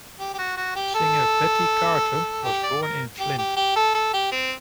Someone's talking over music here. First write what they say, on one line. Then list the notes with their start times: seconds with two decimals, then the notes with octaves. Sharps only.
Singer Betty Carter was born in Flint.
0.20 G4
0.34 G4
0.38 F#4
0.57 F#4
0.76 G4
0.95 A4
2.44 G4
2.63 D5
2.82 A#4
3.20 G4
3.38 G4
3.57 G4
3.76 A4
3.94 A4
4.13 G4
4.32 C4